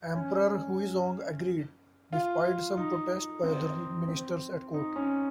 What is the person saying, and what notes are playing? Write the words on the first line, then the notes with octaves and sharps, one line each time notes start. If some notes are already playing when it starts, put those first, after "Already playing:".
Emperor Huizong agreed, despite some protest by other ministers at court.
C#4
F4
D#4
C4
C4
D#4
C#4